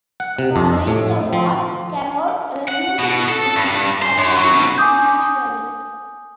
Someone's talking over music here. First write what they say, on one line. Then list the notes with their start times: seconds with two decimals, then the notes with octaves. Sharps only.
Following the war, Carroll resumed his business career in Nashville.
0.20 F#5
0.38 C3
0.56 F2
0.87 A2
1.33 F3
2.68 F#5
2.98 B2
3.28 A4
3.56 G2
4.02 C5
4.17 F#2
4.37 F#3
4.53 B2
4.78 G#5 D6 D#6 G6